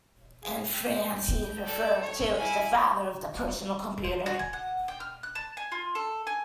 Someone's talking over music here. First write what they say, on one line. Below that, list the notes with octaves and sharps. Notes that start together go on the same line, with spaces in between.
In France, he is referred to as the father of the personal computer.
G#4
G5
A4 D5
C#5
E4 F5 G#5
C5
F#4
G#5
F#5
G5
F6
F#6
A5
G#5
F4
A4
G#5